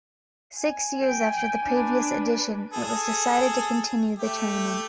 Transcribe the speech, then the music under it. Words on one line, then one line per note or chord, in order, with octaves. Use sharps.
Six years after the previous edition, it was decided to continue the tournament.
G#5
G5
D4 B4
G#4 A4
A3 G4